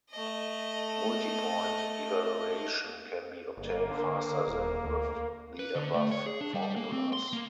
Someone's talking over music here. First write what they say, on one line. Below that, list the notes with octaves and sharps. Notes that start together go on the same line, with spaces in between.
Multipoint evaluation can be obtained faster than with the above formulas.
A3 D#5
G1 A#3
D3
D#1
D2
B4
D3
A3
C#5
G#4
D4
G3
A#3
C4
C6
A#3